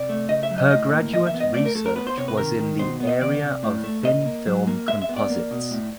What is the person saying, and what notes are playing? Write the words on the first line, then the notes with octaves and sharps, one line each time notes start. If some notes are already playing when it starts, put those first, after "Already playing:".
Her graduate research was in the area of thin film composites.
Already playing: C3 D5
A3
C#3 D#5
E5
F#3
D#5
A2 D#5
A#3
E3 D#5
E5
B3
D#5
A3 D5
A#4
A3 A4
A#4
B3 B4
C5
C3 C#5
B4
D#3 A#4
D#3
B2 C5
B3
D#5
D#3 D5
C3
A2
A3
A#2 D#5
A#3
F#3
A#3
G#3 E5
E5
B3
D5
A#3
B2
A2